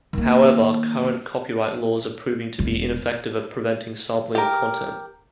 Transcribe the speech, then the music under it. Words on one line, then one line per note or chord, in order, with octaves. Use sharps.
However, current copyright laws are proving to be ineffective at preventing sampling of content.
D#3 A#3
E1
G4 A#4